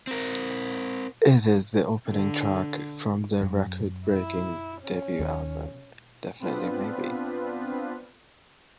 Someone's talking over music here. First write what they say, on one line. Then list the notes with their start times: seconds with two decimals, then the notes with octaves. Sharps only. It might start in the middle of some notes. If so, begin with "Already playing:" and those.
It is the opening track from their record breaking debut album, "Definitely Maybe".
0.07 C4 A#4
2.08 D3
3.41 F#2 F#3
4.08 E4
4.82 C#4
5.19 D#2 D#3
6.39 B3 C4 D4 F4 B4